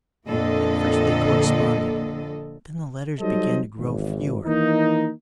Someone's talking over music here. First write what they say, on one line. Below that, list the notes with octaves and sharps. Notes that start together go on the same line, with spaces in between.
At first they corresponded, then the letters began to grow fewer.
F2 A#2 D3 A#3 A4 D#5
F#3 G3 D#4 A4 C5 D#5
G#1 E2
D#3 E3 A#3 D#4